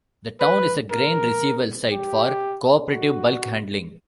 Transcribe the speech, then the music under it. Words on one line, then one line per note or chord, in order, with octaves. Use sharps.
The town is a grain receival site for Cooperative Bulk Handling.
B4
A#4
G4
F#4